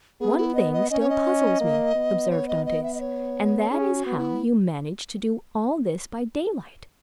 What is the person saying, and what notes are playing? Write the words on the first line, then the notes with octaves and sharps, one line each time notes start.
"One thing still puzzles me," observed Dantes, "and that is how you managed to do all this by daylight?"
B3 G#4
E4
D#5
D#5
C#4 D#5
C#5
D#5
A#3
B3
C#5
D#5
D#5
E5
D#5
C#5
C#4 G#4
F#4
B3
E4